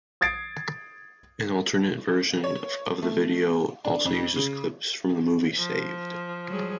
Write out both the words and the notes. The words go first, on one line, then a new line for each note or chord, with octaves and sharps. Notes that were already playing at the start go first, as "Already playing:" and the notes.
An alternate version of the video also uses clips from the movie "Saved!".
D#6 G#6 A6 C7 D7
C#5
A3
D4
F2
C#3
F3
F#3 G3 G#4